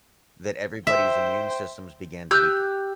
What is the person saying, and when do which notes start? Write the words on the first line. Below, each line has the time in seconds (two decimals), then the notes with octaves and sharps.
that everybody's immune systems began to weaken.
0.87 C5 E5 G5
2.31 G4 E6 F#6 G6